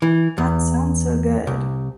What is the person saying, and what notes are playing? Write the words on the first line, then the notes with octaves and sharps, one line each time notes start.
That sounds so good.
E3
E2
C2